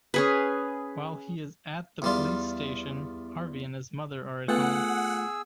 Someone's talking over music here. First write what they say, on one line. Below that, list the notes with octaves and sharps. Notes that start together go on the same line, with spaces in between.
While he is at the police station, Harvey and his mother are at home.
C#4 G#4 B4
E2 G3 F4
A3 B3 F4 G#4 B4 F#5 E6